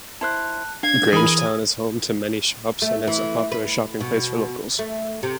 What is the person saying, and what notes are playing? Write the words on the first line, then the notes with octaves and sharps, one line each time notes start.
Grangetown is home to many shops and is a popular shopping place for locals.
E4 C5 A5 F#6
D4 F5 G#6
E3 G#4 A#4 G#5 B5 D#6
A3
E3
B4
B2
A3
C3